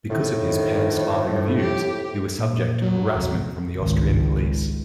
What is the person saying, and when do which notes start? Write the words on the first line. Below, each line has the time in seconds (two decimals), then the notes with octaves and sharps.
Because of his Pan-Slavic views, he was subject to harassment from the Austrian police.
0.10 F2 A2 D#3
0.48 D#3
1.28 G2
1.60 G4
2.39 A#2
2.82 F#3
3.14 F1 C#2 C3
3.31 B1 G#2
3.77 G#1 C#2